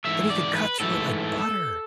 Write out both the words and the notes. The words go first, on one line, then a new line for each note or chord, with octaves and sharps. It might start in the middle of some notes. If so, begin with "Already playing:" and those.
Then he could cut through it like butter.
G#2 E3 A3 E5
D5
B4
G#2 E3 A3 A4